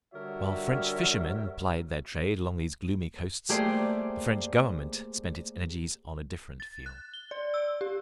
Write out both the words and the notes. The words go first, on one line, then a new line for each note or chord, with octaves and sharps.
While French fishermen plied their trade along these gloomy coasts, the French government spent it's energies on a different field.
D3 G3 F#4 A#4 C#5 E5
A3 A#3 G4 G#4 C5 D5
A6
F#6
G7
D5
E6
G4